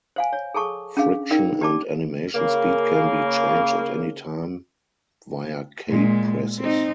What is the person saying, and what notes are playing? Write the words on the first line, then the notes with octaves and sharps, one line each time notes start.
Friction and animation speed can be changed at any time via key presses.
C5 F5 G#5
C#5
G#4 A4 A5 C#6
C#4 D4 G#4 F5
D#4 A#4 D5 G5
G4 D5 A5 D6
C#3 A#3
A#2 G#3
C4 D#4